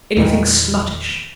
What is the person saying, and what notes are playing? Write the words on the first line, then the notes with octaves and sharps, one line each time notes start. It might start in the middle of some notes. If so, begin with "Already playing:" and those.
Anything sluttish?
E2 A#2 D#3